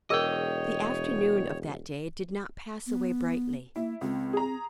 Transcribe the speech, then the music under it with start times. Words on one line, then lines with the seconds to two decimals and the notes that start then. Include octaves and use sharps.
The afternoon of that day did not pass away brightly.
0.10 E1 G#4 A#4 C#5 D#5 G5
2.87 B3
3.76 A#3 E4
4.01 C#2 C4
4.33 G#4 A#5